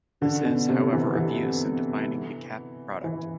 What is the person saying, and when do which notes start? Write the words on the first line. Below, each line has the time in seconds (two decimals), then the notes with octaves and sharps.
This is however of use in defining the cap product.
0.22 D3
0.45 B2
0.69 C3
0.93 E3
1.15 E3
3.04 E3